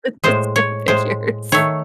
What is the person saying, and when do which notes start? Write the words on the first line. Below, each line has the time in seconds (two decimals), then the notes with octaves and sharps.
with the stick figures.
0.24 A2 G#3 C5
0.56 C#5
0.88 A2 G#3 C5
1.52 D#3 A3 C#5